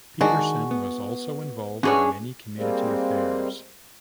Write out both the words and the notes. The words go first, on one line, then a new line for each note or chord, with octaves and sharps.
Petersen was also involved in many community affairs.
D#3 G#3 D4 F#4
B3
B2 E3 C#4 D4 F#4 G#4 C#5
G3 G#3 A#3 C4